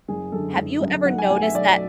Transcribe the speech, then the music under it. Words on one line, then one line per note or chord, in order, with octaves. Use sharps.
have you ever noticed that
F#1 G#4
F#2 D3 A4
F#1
F#2 D3
B1 F#5
G#5
B2 F#3 A3 G#5
E5
B1 D5